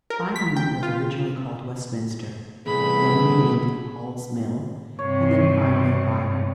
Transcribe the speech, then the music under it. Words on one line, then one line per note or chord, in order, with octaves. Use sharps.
Byron was originally called Westminster, then renamed Hall's Mill, and then finally Byron.
A#4
B6
G5
F4
A2 C3 E3 G3 B3 G#4 B5
G2 C3 C#5